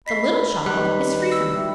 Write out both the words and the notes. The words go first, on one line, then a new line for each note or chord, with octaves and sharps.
The little child is free from them.
D#2 D#5 B5 B6 C7
D#3 G3 G4 B4 D#5 F#6
E6
A3 E4 G4